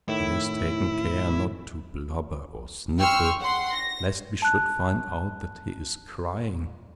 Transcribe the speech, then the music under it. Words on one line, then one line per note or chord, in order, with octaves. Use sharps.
He has taken care not to blubber or sniffle, lest we should find out that he is crying.
A2 D#3 E4
G5 C6 C#6 E6 F6
F#5 C6
A#6
A5 F#6